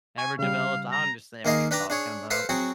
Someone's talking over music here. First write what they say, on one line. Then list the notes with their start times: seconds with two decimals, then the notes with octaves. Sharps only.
ever developed, I understand what you're talking about.
0.18 G#5 C#6
0.39 C#3 G3 F5
0.92 A#5
1.45 D#2 A#3 G#4 D#5 F5
1.71 D4 B4 G5 A#5 D6
1.90 D4 G#4 C#5
2.30 A4 B4 C5 F5 A5
2.49 F#3 C4 F#4 G#4